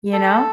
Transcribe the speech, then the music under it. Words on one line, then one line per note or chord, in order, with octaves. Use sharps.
Ya know?
A4